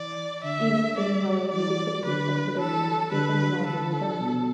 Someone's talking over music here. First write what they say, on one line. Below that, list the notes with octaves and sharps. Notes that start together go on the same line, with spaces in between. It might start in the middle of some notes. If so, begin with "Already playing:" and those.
Event studies, however, may differ with respect to their specification of normal returns.
Already playing: E3 D5
D3 E5
G3 D5
E3 D5
D3 B4
E3 A4
D3 B4
D3 A4
B2